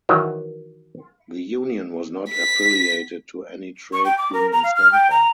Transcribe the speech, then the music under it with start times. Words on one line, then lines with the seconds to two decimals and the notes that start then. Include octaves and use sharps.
The union was not affiliated to any trade union centre.
0.09 D#3 E3 F#3
2.31 B6
3.93 C#6
4.05 G5
4.18 D6
4.33 A#4
4.52 A#5
4.64 F5
4.76 F6
4.92 G5
5.11 A#5